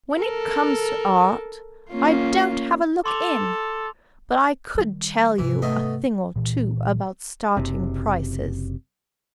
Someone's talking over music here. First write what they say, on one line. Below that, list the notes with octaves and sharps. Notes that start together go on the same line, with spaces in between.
When it comes to art, I don't have a look in; but I could tell you a thing or two about starting prices.'
A4 A#4
A#3 C#4 F4
A4 C6 D6 F7
D#3 G3
G#2 C3 E3
A3 B3 D#5
A#2 E3
F#1 C3